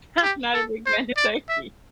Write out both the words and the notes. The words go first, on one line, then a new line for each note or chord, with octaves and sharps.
I'm not a big fan of turkey.
G4
A4
C5
D5
E5